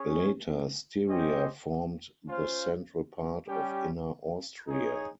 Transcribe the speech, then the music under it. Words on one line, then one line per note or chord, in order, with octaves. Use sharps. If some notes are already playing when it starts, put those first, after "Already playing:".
Later Styria formed the central part of Inner Austria.
Already playing: C#4 G#4 C#5
C#4 G4 C5 D#5 G5
C#4 F4 C5 F5
G3 C#4 G4
D#4 G#4 C#5